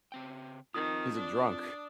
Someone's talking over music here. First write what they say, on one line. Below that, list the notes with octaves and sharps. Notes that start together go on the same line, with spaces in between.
He's a drunk.
C#3 C4 G5
D#3 C4 F4 D#6
D4